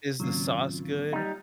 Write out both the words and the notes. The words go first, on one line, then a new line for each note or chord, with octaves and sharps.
Is the sauce good?
G#1 C#3 F#3 A#3 F4
G3 D#4